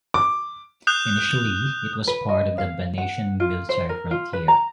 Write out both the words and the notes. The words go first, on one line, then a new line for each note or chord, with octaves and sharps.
Initially, it was part of the Banatian Military Frontier.
D6
D#6 F#6 G6 F7
B4
D#5
F5
F#5
F4
C5
A#4
F4
B4
A#5